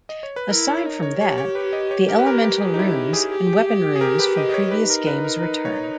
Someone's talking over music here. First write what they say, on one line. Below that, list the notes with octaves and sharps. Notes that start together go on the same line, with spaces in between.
Aside from that, the elemental runes and weapon runes from previous games return.
D#5
C#5
B4
E4 A#4
C#5
D#4
C#5
G4 C#5
C#5
B4
D#5
C#5
A#4
B4
A#4
A#4
G#4
D#4
E4
G#4
G4
G#4
A#4
B4
D#5
D#5
C#5
D#4 B4
A#4
B4
A#4
B4
C#5